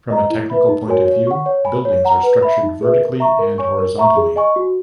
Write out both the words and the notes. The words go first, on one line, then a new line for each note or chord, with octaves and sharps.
From a technical point of view, buildings are structured vertically and horizontally.
D#5 A#5
E4
B4 E5 B5
D#4
F#4 A#4 C#5 G#5
C#5
F#5 C#6
C#5
G#5 B5
C#5
F#5 A#5
B4
E5 B5
D#4
G#4 B4 E5
A#4
E5 A#5 C#6
A#4
C#5 G#5 C#6
A#4
E5 A#5 C#6
G#4
D#5 G#5 C#6
F#4